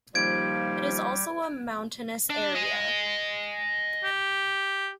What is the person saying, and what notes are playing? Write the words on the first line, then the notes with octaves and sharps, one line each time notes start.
It is also a mountainous area.
D#2 F3 G3 G#6 D7
D4
D#5 G#5
G4